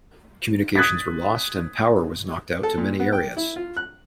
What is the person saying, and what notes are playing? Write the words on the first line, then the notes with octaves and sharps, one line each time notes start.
Communications were lost and power was knocked out to many areas.
D#6 F#6 G#6 A6 B6
A4
A#2
B3
G5
E4
F4
F#6